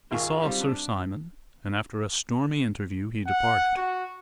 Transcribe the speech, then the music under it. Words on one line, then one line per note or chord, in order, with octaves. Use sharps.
He saw Sir Simon and after a stormy interview he departed.
G#1 D#2 F4 G#4 A#4 C#6
G3 C4 F4 G4
D4
F#5
F#4